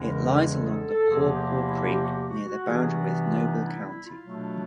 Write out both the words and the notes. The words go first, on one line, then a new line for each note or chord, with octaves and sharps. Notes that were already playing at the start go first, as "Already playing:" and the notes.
It lies along the Paw Paw Creek near the boundary with Noble County.
Already playing: E2 C#3 E3 G#3 C#4
A#4
A4
G#4
A4
A4
E2 C3 F3 A#3 G#4
G4
E4
E4
G4
F#4
G4
F#4
F#4
C3 E3 G3 B3 D4 G#4
F#4
F#4
F4
D#4
E4
E4
F4
B2 F#3 A3 D4